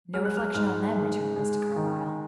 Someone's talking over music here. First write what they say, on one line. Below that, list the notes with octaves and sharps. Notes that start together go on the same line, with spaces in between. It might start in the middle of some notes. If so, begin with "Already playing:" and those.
"No reflection on them," returned Mr. Carlyle.
G#3 F6
F#6
F6
G#2 F6
G#3
G#3
D#3